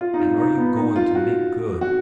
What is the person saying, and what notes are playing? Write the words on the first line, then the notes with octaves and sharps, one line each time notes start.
And are you going to make good?
F4
D#4
F4
D#4
B3
D#4
F4
F#4
F#4